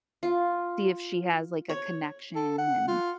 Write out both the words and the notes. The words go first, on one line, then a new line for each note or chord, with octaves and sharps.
See if she has, like, a connection and
F4
C#5
A4
F#5
F4